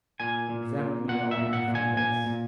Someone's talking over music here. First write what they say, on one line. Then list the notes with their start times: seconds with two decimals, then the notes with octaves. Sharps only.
Exempt me only from this!
0.20 A#2 G#5
0.49 A#2
0.79 A#2
1.08 A#2 F#5
1.31 E5
1.38 A#2
1.53 F#5
1.68 A#2
1.75 G#5
1.97 A#2 G#5
2.26 A#2